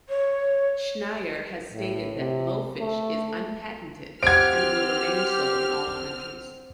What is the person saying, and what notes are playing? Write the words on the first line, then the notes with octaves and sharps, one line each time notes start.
Schneier has stated that, Blowfish is unpatented, and will remain so in all countries.
C#5
A2
C3
A3
C4 G4 C5 F#5 F6 G#6 D7